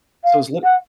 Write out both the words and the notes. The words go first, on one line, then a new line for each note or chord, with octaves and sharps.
So, it was lit
F5
F#5